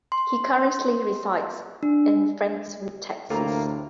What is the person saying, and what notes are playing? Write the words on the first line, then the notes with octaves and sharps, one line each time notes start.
He currently resides in Friendswood, Texas.
C6
D4
D2 A2 C3 A#3 F4 A4 A#5